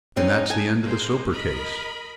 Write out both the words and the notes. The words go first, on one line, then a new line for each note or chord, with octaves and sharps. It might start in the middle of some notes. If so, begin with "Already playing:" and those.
Then that's the end of the Soper case.
G3 C4 C#4 D#4
G#5 A5
G#3 A#3 C5
A#4 D#5 B5